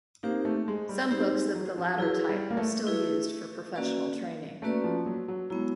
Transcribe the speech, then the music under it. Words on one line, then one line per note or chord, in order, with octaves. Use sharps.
Some books of the latter type are still used for professional training.
A#3 C4 D#4 G4 C5
A3
G#3
G3
G3 C4 D#4 G4 C5
G#3
F#3
F3
F#3 E4 G#4 B4
G3
A#3
A3
E4 G#4 B4
A#3 C#4 F#4 B4 D5
A3 A#3 C#4 F#4 B4 D5
F3
F#3
F#3
F#3 G#3 B3 E4